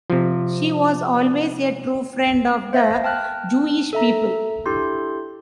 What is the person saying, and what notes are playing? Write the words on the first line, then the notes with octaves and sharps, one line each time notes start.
She was always a true friend of the Jewish people.
C3 F3
C5 E5 F5 A#6
G5 A5 F6 F#6
A4 E5 A#5
D4 E4 G4 A4 C6 G6